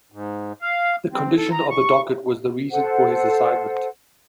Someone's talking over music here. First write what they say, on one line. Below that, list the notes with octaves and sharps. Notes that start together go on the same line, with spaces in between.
The condition of the docket was the reason for his assignment.
G#2
F5
C4
A4
A#5
C#6
A4 C5 F#5